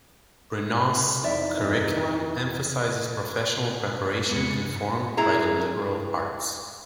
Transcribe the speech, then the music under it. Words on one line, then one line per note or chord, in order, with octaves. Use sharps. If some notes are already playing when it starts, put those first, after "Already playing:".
Brenau's curriculum emphasizes professional preparation informed by the liberal arts.
F2 E3 D#4 D5 E5
E2 G#3 B3 C#7
G#2 E4 G#4 A#5